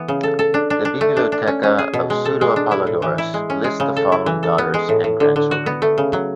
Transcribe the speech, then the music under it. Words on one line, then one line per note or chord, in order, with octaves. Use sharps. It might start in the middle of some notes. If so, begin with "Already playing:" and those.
The "Bibliotheca" of Pseudo-Apollodorus lists the following daughters and grandchildren.
Already playing: E3 B3
C#3
A4
A4
D4
D4
D4
A3
D4
D4
C#4
C#4
G#4
B2
G#3
A4
G#3
D4
E4
A2
E3
E4
G#3
C#4
G#3
C#3
A4
E4
E3
A4
B3
G#3
A2
A2
D3
D3
F#4
B3
A3
C#3
F#3